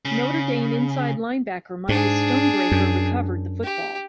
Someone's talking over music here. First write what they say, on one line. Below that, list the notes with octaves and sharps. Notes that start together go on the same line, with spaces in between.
Notre Dame inside linebacker Michael Stonebreaker recovered the football.
C#3
G#2 D4 G#4
F#2
G4